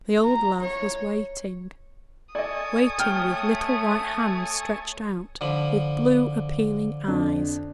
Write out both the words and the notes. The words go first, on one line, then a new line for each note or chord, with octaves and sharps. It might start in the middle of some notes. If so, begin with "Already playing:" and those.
The old love was waiting, waiting with little white hands stretched out, with blue appealing eyes.
A#5
C#5
A4 D5 D#5 G#5 C#6 D#6
A3 C#5 G5 F6
D3 F3 B5
F2 D4